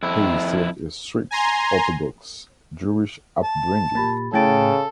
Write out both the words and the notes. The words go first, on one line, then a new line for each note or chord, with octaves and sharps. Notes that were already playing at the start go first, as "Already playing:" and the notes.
He received a strict Orthodox Jewish upbringing.
F2 E4
G#5 A#5 C6
A5
A#2 G4 B5 A6
A2 C#3 A4 G5 A6 D7